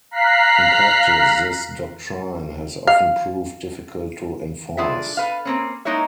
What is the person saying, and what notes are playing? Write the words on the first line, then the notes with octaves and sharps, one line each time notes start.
In practice this doctrine has often proved difficult to enforce.
F5 A#5 F#6 B6 C7
F5
D4 F4 G#4 A4 E5
A4 B4 F5
A#3 C4 C#4
G#3 A#3 D#4 E4 C#5 E5